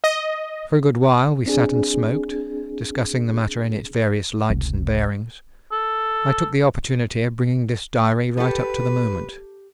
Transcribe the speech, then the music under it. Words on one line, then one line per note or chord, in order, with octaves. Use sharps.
For a good while we sat and smoked, discussing the matter in its various lights and bearings; I took the opportunity of bringing this diary right up to the moment.
D#5
C4 D4 G#4
F1 C#2
A4
G4 A4 B4